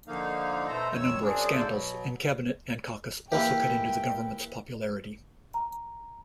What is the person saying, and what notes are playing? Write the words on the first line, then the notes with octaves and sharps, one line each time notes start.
A number of scandals in cabinet and caucus also cut into the government's popularity.
D3 F3 A#3 D#4 F5
B2 A3 A4 C5 A#5
F2 A#2 D#3 C#5 E6
F#2 C4 D4 G#4
D2 G#2 A#3 A4 C5 D5
B2 F#3
E3 A#3 G4 G5
A#5